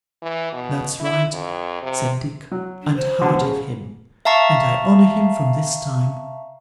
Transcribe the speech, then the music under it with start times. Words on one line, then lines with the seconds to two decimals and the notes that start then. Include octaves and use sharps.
'That's right!' said Dick; 'and hearty of him; and I honour him from this time.
0.22 E3
0.53 B2
1.00 E4
1.33 F2
1.83 C3
2.52 F#3
2.83 D4
2.96 C5
3.21 B2 D3
3.41 C#3
4.25 E5 F5 A5 A#5 C#6 C7